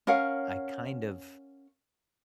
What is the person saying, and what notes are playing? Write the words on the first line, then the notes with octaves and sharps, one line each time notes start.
I kind of
C#4 A#4 F5 F#5